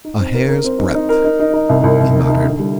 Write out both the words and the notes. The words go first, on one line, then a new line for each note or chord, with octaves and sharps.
"A hair's-breadth," he muttered.
D#4
C4
A#4
A#4
C4
D#4
D#4
A#4
D#4
D#4
D#4
C2
C2
C2
D#4
D#4
D3
G3